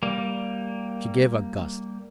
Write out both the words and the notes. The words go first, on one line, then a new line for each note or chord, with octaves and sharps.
She gave a gasp.
G3 A#3